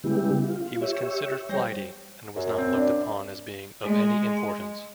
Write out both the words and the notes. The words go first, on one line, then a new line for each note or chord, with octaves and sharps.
He was considered flighty, and was not looked upon as being of any importance.
C#3 G3 G#3 B3 E4 G4
F4
G4 C#5 E5
G3 C5 C#5 G5 A#6
F#2
C4
D4
G#3